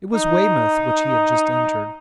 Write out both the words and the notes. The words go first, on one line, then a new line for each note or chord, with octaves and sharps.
It was Weymouth which he had just entered.
D#4